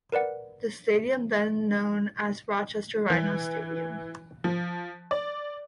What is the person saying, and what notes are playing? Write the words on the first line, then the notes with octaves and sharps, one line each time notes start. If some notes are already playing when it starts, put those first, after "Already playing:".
The stadium then became known as Rochester Rhinos Stadium.
A#4 B4 D5 F#5
E3
F3
D5